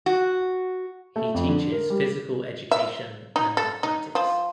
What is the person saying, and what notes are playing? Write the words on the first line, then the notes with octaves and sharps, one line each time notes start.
He teaches physical education and mathematics.
F#4
A3
F2
D3
A#4
G3
E5
D#4
A4
D#4
F3